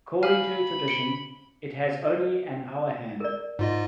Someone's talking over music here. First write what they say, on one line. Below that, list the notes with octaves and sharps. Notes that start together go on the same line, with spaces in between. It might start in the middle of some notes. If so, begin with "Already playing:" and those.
According to tradition, it has only an hour hand.
F5 G#5 B5 F6
C#7 D7 G7
A#4 D5
G#2 F4 D#5